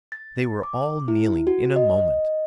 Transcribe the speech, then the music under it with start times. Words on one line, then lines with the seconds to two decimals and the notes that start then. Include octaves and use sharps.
They were all kneeling, in a moment.
0.12 A6
0.63 D6
1.08 E4
1.47 F#4
1.76 D#5